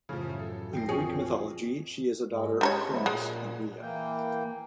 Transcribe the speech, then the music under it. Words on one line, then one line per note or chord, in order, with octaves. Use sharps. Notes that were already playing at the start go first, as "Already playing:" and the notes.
In Greek mythology, she is a daughter of Cronus and Rhea.
A1 F#2 A2 C#3 E3 F3
A4
A#1 G5 A#6 C7
F2 C#4 G#4
G#2 G#3
G3 G#3 C#4 A4 C#5
F3 F#3 E4
A#2 G#3
E3 A#3 G5